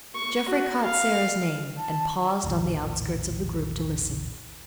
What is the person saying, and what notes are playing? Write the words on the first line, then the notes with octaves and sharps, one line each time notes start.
Jeffrey caught Sara's name and paused on the outskirts of the group to listen.
C#6
F#4
F5
A5
E1 A#1 A2 D#3